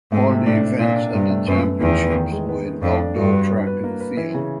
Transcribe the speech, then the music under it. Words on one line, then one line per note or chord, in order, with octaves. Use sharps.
All the events at the championships were in outdoor track and field.
G#2 A3
C3
A2 D4
D4
A#2 D4
D4
G2 C3
A3
F#2 B3
B3
E2 D#3
B3
D#3
G#3
B3
B3
F2 D4
D4
G2 F#4
B4
B4
B4
A#3
B4
E3
C#3